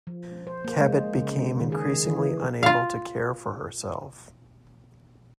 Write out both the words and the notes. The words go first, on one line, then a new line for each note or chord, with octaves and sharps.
Cabot became increasingly unable to care for herself.
F3
C5
A#3
G#3
C#3
D#3
G#4
E3
F4 F5